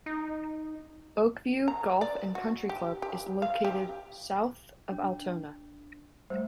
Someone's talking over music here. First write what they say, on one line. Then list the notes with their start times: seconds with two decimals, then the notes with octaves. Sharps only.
Oakview Golf and Country Club is located south of Altona.
0.06 D#4
1.68 A#5
2.01 D5
2.35 F#4
2.69 G4
3.02 G4
3.42 F5
3.65 G4
4.92 D4
6.30 G3 A3 C5 E5